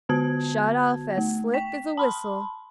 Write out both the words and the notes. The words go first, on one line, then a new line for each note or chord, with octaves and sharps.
Shot off as slick as a whistle.
D3 B3 F#4 A5 G#6
A3
G5 B6
A5 B5 C6